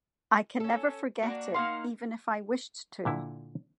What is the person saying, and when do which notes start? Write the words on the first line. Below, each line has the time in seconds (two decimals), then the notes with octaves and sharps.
I can never forget it, even if I wished to.
0.60 C#4 A4
1.22 A#3 D4 F#4
1.54 A#3 D#4 F5 F#5 C6
3.05 A#2 D3 E4